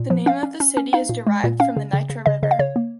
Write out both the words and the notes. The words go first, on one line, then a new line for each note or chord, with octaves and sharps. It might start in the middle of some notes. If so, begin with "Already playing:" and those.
The name of the city is derived from the Nitra river.
Already playing: A#2
F3
C#4 F5
C#4
C#4
C#4
D#4 F5
A#2
G#3
A#2
C#4 F5
C#3
C#3
C#3
C#3 D#5
C#3 D#5
F5
C#3 C#5
A#3